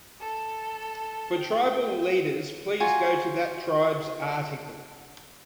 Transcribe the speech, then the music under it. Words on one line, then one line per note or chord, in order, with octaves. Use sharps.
For tribal leaders, please go to that tribe's article.
A4
G5
F4 F#4 G#5